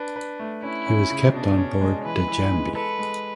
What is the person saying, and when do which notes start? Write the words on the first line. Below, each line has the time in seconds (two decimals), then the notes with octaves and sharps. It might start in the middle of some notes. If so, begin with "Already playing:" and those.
He was kept on board "Djambi".
Already playing: D4 B4
0.16 B4
0.39 A3
0.62 C#4 E4
0.87 C#4
1.10 C#3
1.33 B2 D4
1.57 C#4
1.81 G#3
2.04 E3 B4
2.28 E3
2.52 G#3
2.75 A4 B4
2.99 G#3